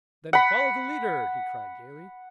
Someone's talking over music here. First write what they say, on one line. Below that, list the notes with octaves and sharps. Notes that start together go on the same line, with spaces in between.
"Then follow the leader," he cried gaily.
F#5 B5